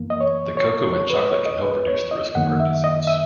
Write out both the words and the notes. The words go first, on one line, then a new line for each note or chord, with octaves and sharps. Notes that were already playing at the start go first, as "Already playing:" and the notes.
The cocoa in chocolate can help reduce the risk of heart disease.
Already playing: F#2 E3 A#3
D#5
C#5
C#5
C#5
B4
C#5
D#5
B4
C#5
D#5
F#2 D#3 A#3 F#5
E5
D#5
E5